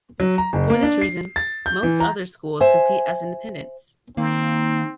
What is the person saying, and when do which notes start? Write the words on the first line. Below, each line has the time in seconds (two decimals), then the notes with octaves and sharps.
For this reason, most other schools compete as independents.
0.20 F#3
0.38 A#5
0.53 F#1
0.70 A#3
0.83 D4
1.01 C7
1.36 A6
1.66 G6
1.83 E3
2.00 A#5
2.60 C5 E5 G#5
4.17 D#3 A#3 C4 D#4